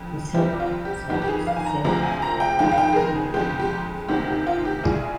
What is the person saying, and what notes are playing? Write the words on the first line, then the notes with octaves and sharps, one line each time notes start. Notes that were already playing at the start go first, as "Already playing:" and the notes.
The Semai themselves say There is no authority here but embarrassment.
Already playing: F2 D3
F2 C3 G3 G4
F4
G4
G1 F2 D#3 G4
G4
G#4
F5
G#5
A#5
D2 C3 F3 G#3 A#5
G#5
A#5
G5
F2 D#3 G#3 G5
F5
G5
G#4
A#4
G#4
F2 D3 G#3 G4
G4
D2 C3 D#3 G4
G4
F4
G4
C2 A#2 G3 G#4